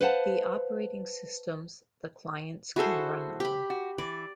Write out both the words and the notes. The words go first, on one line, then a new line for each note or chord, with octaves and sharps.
The operating systems the clients can run on.
B4 C5 F5 F#5 A5
E4 F#4 G#4 A4 C5
G4 B5
F#4
E3 D5